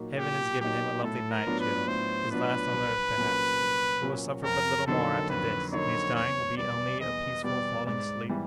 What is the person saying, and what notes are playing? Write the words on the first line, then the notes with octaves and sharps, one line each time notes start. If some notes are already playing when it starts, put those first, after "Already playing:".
"Heaven has given him a lovely night, Joe--his last on earth, perhaps! He will suffer but little more after this, and his dying will be only a peaceful falling asleep."
Already playing: A#2 F#3 A#3 D#4 F#4
A#2 G4
F#3 A#3 D#4 F#4 G4
A2 A4
A#4
F#3 B3 D4 F4
B4
A2 C5
F#3 B3 D4 F4 B4
C2
A#2 F#3 A#3 C#4
C2
A#2 F#3 A#3 C#4
F2 A#4
D3 F#3 A#3 D#4 A4
F2 B4
D3 F#3 A#3 D#4 C#5
E2 C#5
B2 G3 B3 D5
E2 D#5
B2 G3 B3 D5
G#2 D5
E3 G3